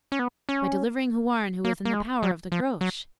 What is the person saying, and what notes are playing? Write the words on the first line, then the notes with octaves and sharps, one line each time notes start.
'By delivering Houarn, who is in the power of the Groac'h.'
C#4
B3
C#4
A#3
A#3
G#3
F#3
F3
F#3